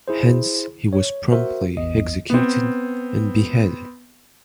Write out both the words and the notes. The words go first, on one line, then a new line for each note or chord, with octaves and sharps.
Hence he was promptly executed and beheaded.
E4 G#4 C5
C#5
F#4 A#4 C5 E5
A1 E2 D#5
B3 C4